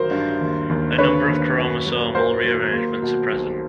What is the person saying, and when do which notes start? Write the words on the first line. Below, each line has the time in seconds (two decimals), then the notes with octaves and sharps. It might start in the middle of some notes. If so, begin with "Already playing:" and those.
A number of chromosomal rearrangements are present.
Already playing: A1 D#3 F#3 A#4 C5
0.11 G2
0.41 D#2
0.69 D#2
0.98 D3 B4 C#5
1.28 D#2
1.57 F#2
1.86 F#3
2.15 F#3 A#4 C5
2.44 F#3
2.73 A#3
3.03 B2
3.32 B1